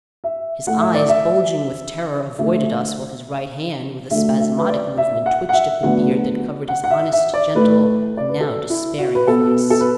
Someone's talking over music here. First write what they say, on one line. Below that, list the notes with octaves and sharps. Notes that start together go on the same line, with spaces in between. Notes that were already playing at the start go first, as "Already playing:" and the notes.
His eyes, bulging with terror, avoided us, while his right hand, with a spasmodic movement, twitched at the beard that covered his honest, gentle, and now despairing face.
E5
A2 A3 F#5
E5
D5
E5
D2 D3 A3 E5
D2 D3 A3 E5
E5
B4
D5
E5
F#5
F#5
E5
D2 D3 F#3 B3 F#5
F#5
F#5
E5
E5
D5
A2 A3 B4
D5
B4
A4
E4
F#4
B4
B2 B3 A4
A4
B4